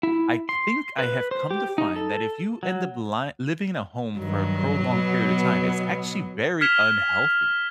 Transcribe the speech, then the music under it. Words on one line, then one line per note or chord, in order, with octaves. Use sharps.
I c think I have come to find that if you end up ly living in a home for a prolonged period of time, it's actually very unhealthy.
E4
C6
B4
C5
G4
D#4
A4
F#3
G2 D#3 F#3
B2 B3
F6 G#6 B6 E7 F7 G7